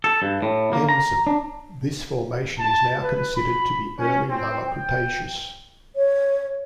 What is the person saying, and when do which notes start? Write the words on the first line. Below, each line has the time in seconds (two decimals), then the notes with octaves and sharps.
Ensom, this Formation is now considered to be early Lower Cretaceous.
0.04 A4
0.22 G2
0.42 A2
0.73 A#3
0.89 A#5
1.27 D4
2.60 A5
3.02 B4
3.36 B5
3.99 C#4
4.30 C4
4.66 G5
5.96 C#5